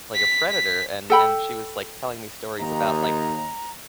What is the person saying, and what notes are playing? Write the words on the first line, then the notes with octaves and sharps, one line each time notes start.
like a predator, and and she was, like, telling me stories about, like,
B6
B6
A4 G5 B5
D#2 D#4 A#5